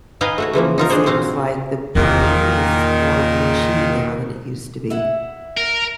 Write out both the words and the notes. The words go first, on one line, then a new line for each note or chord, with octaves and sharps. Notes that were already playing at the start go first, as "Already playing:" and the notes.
it seems like the brain is more mushy now than it used to be.
D#4 B4 F5 G5 G#5 A#5
A3 F#4 C#5
C#3 E3 F3 A#3
D#4 F4 A#4
F3 D4 G#4 C5 C#5
A#2 C4 F#4 F5
E2 A#2 D#3 E4
E4 E5 F#5
A#4